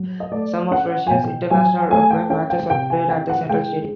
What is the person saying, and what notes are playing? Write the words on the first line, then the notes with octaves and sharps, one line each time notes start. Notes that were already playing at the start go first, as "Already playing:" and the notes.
Some of Russia's international rugby matches are played at the Central Stadium.
Already playing: F#3
D#5
A3 D5
C#4 F#5
G#5
B2 G5
F#3 G#5
A3 G#5
G5
C#4 G5
G5
C3 G5
G#5
E3 G5
F#5
G#3 G5